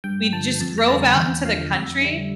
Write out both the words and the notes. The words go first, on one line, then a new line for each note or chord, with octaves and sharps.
we just drove out into the country,
G2 G5
D3 F3 A5
F2 A5
A#5
D3 G3 A5
A5
E2 G5
D3 F3 F5
F2 E5
D3 G3